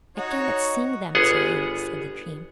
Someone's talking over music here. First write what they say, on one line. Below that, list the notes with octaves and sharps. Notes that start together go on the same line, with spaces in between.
"I cannot sing them to you," said the dream.
D#4 F#4 C#5
G1 B3 G#4 F#5